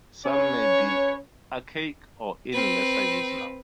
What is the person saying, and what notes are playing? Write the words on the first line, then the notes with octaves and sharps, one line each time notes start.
Some may be archaic or in lesser use now.
C#4 B4 C#5
C4 B4